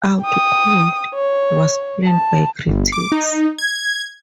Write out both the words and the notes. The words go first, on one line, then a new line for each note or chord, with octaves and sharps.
"Out Cold" was panned by critics.
G5 D#6
C#5
A5
G1
D6
D#4
G#6